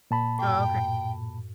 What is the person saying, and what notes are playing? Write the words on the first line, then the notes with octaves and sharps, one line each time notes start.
Oh, okay.
A#2 A5 B5
F#2 A2 G5